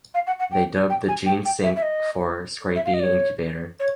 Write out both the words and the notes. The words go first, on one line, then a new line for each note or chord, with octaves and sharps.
They dubbed the gene sinc for scrapie incubator.
F5
F#5
F#5
G5
G5
G#5
G5
G5
E5
E5
D#5
E5
F5
D#5
D5
C#5
C#5